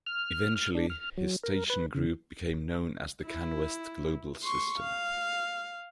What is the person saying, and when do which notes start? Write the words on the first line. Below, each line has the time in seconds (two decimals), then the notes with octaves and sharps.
Eventually, his station group became known as the Canwest Global System.
0.06 F6
0.56 F6
0.75 D4
0.90 F6
1.18 F#3
1.43 A#4
1.70 B4
1.95 C#3
3.25 E4
4.43 C6 C#6
4.78 F5